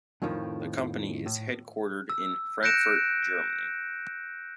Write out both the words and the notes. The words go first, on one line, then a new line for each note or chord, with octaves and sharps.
The company is headquartered in Frankfurt, Germany.
F2 A2 D#3 F3
A2
E6
F#6 G6 A#6 C#7 D7 E7